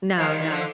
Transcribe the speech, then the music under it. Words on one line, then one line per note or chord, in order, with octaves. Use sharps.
No, no.
F3 G#3
D#3 G3
D#3 G3
D3 F3